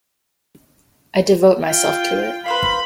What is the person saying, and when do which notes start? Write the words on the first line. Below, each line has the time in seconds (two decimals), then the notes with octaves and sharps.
I devote myself to it.
1.67 F4 G5
2.46 B4 C5 F5 B5